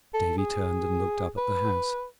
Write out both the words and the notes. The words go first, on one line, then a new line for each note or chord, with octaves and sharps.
Davy turned and looked up at the house.
A4
G#4
B4